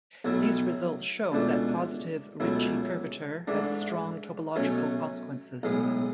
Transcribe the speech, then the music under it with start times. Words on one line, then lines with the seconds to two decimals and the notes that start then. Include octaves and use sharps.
These results show that positive Ricci curvature has strong topological consequences.
0.25 B1 B2 F#3 A3 E4
1.32 C#2 B2 A3 D4
2.40 C#2 B2 F#3 A3 E4
3.47 G#2 E3 A3 D4
4.56 B2 F#3 A3 C#4
5.63 B1 A2 G#3 B3